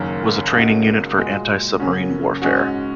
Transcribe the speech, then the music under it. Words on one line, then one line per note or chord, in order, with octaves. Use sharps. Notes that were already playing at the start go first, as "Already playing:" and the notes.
Was a training unit for antisubmarine warfare.
Already playing: F#1 F#2 D#3 A#3
C#2 C#3 A#3 D#4 F#4
A#2 G#3 F#4
F#2 C#3 A#3 C#4 F#4
G#2 G#3 C#4 F#4